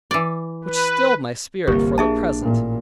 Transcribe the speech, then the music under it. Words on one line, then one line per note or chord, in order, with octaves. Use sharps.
Which stilled my spirit for the present.
E3 D5
B4
G1 C2 A#3 G4
A#1 D4 G#4 E5 A5
A1 A#2